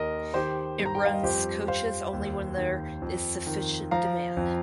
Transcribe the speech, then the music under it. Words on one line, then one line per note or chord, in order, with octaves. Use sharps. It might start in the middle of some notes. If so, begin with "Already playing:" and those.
It runs coaches only when there is sufficient demand.
Already playing: D#2 D#3 A#4 D#5
D#3 G4 C5
G2
A#5
G5
F5
D#5
F2 G4 C5
F2 C5 F5
D#2
D#3
F2
D#3
F3 F5 A#5
F2